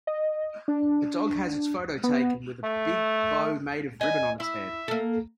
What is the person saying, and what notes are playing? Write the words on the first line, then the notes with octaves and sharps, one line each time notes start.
A dog has its photo taken with a big bow made of ribbon on its head.
D#5
D4
B3
A3
B4 D#5 G#5
E4 E5
A#3 A4